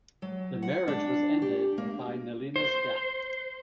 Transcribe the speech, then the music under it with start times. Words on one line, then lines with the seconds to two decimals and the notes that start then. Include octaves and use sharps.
The marriage was ended by Nelina's death.
0.22 F#3
0.62 F#5
0.88 D4
1.42 G4
1.78 A#3
2.56 C5